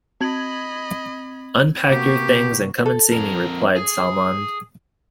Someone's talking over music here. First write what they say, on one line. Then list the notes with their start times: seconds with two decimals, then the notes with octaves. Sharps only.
"Unpack your things, and come and see me", replied Salmond.
0.21 C4 D#5 B5 G#6 F#7
1.89 C3 A#3 B3 F#4 G4
2.86 A4
3.12 F2 A#4
3.76 G#4